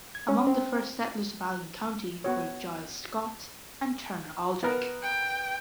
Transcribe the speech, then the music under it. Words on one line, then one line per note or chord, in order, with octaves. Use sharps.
Among the first settlers of Allegan County were Giles Scott and Turner Aldrich.
G#6
C#4
C4
B3 F#4 C#5
B3 A#4
G5